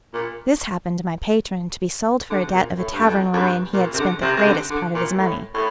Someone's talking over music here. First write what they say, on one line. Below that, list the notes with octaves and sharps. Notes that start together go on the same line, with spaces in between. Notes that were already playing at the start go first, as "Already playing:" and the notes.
This happened to my patron, to be sold for a debt of a tavern wherein he had spent the greatest part of his money.
A#2
D3
C3
A#2
A2
G2
F2
F2
G2
A#2
C3
D3
C3
C3
D3
D3
A#2
A2
A2